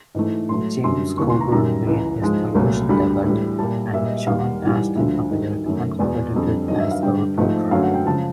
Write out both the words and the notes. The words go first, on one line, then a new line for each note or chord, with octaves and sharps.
James Coburn made his television debut, and John Astin appeared uncredited as a reporter.
G#2 E3 A3
A2 F#3 A3 C6
F#2 D3 G3 C6
D#2 C#3 E3 C#6
C6
A#5
F#2 D#3 G3 A#5
C#2 C#3 E3
G#2 F3 G#3
C2 A#2 F#3 A3
D2 D3 G3 B5
A2 E3 G3
A#2 G3 A5
A#2 G3 E5
D#5
E5
D#2 D#3 G3 F5
F#5
G#2 E3 G3 F#5
G#5
D2 D3 F3 A3 E5
G#2 D#3 G3
F#2 D#3 F#3 A3
E2 B2 G#3 D5
F2 D3 G3
G2 D#3 F#3 D#5
E5
F5
G2 D3 G3 G5
G#2 F3 A3
F#2 D3 F#3 A3 F5
F#5
G5
C#3 F3 A5